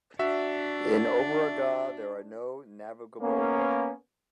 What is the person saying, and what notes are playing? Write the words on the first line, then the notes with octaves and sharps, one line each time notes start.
In Oberallgäu there are no navigable waterways.
D4 F#4 E5
A#3 B3 C#4